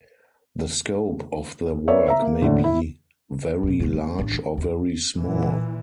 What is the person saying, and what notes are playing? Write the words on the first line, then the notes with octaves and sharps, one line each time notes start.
The scope of their work may be very large or very small.
B3 C#5 D5 E5
E5 A#5
A#3
D2 A2 D3
E4
E2 B2
C#2 G#2
A#3
A1 D4
D#3
D#2
A#2 E3